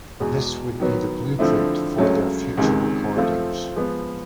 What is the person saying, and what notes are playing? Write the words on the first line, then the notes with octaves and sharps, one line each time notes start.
This would be the blueprint for their future recordings.
E2 B2 G#3
D#3 F#3 B3
D3 F3 A3 C4 E4
C#2 C#3 F#3 A3
C#2 C3 D#3 G#3
F3 A3 C4 F4
F3 G#3 B3